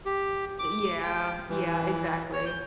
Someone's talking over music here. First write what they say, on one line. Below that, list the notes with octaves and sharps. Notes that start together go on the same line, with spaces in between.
Yeah, yeah, exactly.
G4
D6
G5
E3
C#5
G6